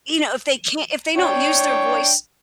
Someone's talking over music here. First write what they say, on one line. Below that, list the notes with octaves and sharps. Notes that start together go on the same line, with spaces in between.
you know, if they can't if they don't use their voice
D4 C#5 G5